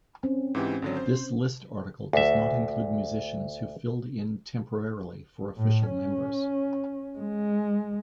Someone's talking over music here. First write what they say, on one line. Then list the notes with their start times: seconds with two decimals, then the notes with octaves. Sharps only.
This list article does not include musicians who filled in temporarily for official members.
0.24 C4 C#4
0.55 G#2 E3 G4
0.82 G#1 D3 F#3
0.97 C5
2.13 D2 E5
5.56 A2
5.89 C#4
7.18 G#3